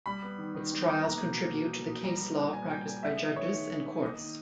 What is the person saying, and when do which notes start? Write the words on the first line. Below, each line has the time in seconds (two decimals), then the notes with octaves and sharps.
Its trials contribute to the case law practiced by judges and courts.
0.06 G3 B5
0.22 B3
0.38 D#3
0.55 D#3
0.72 G3
0.88 B3
1.04 A#3 A#5
1.21 B2
1.38 A#3
1.54 B2
1.71 A#3
1.88 B2
2.04 G3 A#5
2.20 B3
2.37 A#2
2.53 A#2 G#5
2.69 G3 G5
2.86 B3 G#5
3.03 G#3 E5
3.19 B3 D#5
3.35 D#3 C#5
3.53 D#3
3.69 G#3
3.86 B3
4.02 A#3 D#5
4.18 D#3